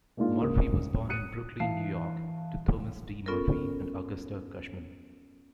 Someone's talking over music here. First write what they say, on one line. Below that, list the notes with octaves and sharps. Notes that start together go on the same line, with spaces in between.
Murphy was born in Brooklyn, New York, to Thomas D. Murphy and Augusta Cushman.
G#3 A#3 D4 D#4 F4
C#2 A#4 D#6
D#6 F#6 C#7 D#7
E3 F5 A5 C7
B3 C#4 F4 A4 A#4